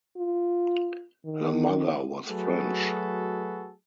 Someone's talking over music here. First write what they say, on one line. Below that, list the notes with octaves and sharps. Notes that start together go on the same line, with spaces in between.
Her mother was French.
F4
D#3
F#3 A3 F#4 G#4 A4 B4